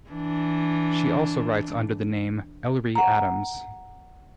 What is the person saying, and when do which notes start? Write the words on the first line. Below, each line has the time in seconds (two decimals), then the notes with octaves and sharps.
She also writes under the name Ellery Adams.
0.10 E3 D4
2.95 F#5 A#5